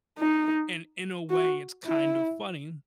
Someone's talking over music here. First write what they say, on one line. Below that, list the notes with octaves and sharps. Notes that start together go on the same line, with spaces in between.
and in a way, it's kind of funny.
D#4
F#4
E4